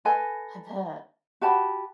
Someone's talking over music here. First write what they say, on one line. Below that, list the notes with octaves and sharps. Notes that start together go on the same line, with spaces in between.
I bet.
A4 B4 D#5 G#5
F#4 G4 A5 B5